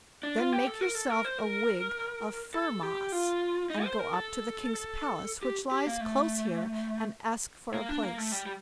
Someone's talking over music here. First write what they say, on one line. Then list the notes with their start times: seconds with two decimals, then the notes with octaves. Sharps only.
Then make yourself a wig of fir-moss, and go up to the king's palace, which lies close here, and ask for a place.
0.23 D4
0.38 F4
0.52 G4
0.67 A4
0.81 A#4
0.95 A4
1.10 A#4
1.25 C5
1.38 A#4
2.54 A4
2.83 G4
3.12 F4
3.70 D#4
3.84 C5
3.99 A#4
4.14 A4
5.43 G4
5.71 G4
5.87 A#3
6.00 A3
7.74 A#3
7.89 D4
8.03 A#3
8.18 A3
8.32 G3
8.46 G3